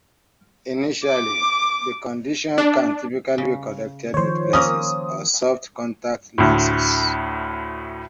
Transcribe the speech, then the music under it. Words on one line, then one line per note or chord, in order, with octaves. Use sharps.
Initially the condition can typically be corrected with glasses or soft contact lenses.
D6
D4
C#3
D#3 F3 C5 C#5
A#3 C#4 D#6
D2 A2